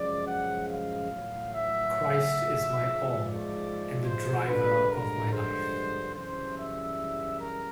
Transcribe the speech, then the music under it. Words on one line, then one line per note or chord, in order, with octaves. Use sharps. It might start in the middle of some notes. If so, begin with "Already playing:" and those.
Christ is my all and the driver of my life.
Already playing: F#2 C#3 F3 G#3 D5
F#5
F5
A2 F#3
E5
G#2 F3 G#3
D5
C5
G2 D3 F3 G#3 B4
A#4
C5
F#2 C#3 E3 G3 C5
E5
A#4